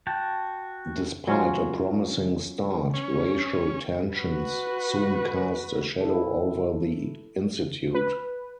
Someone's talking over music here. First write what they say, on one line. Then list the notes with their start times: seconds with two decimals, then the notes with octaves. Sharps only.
Despite a promising start, racial tensions soon cast a shadow over the Institute.
0.07 F#4 G5 A5
1.27 F#3 C#4 F4
2.94 C#4
4.15 F#4 B4
6.01 E4 A4
7.94 B4